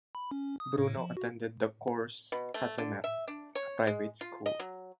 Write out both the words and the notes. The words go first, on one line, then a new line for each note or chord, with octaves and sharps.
Bruno attended the Cours Hattemer, a private school.
B5
C#4
D#6
A2
F3
F#4
B2
A3
D3
E5
D4
C#5
G#3
F4
D#5
F#3